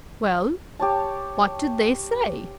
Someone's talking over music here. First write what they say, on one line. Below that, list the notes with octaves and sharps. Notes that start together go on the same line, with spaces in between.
"Well, what did they say?"
G4 C#5 A5